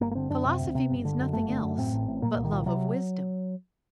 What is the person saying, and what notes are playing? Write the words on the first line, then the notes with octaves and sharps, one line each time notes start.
Philosophy means nothing else but love of wisdom.
G1 A#3
A#3
D3 C4
F#2 D4
C3 C4
D2
C3
G1
D3
F#2
G1 A3
D3
F#2
A2 C4
A1
A2
A#2 A#3
C2
D#3
A#2
C3 F#3